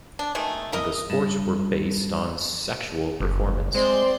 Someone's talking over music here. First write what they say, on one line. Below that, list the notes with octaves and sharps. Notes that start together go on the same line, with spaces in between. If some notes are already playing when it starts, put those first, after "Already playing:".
The sports were based on sexual performance.
D4
B2 D#3 G#3 A3
E4 A#4 D#5
G2
F#1
G#3 C4 C5 D5 C6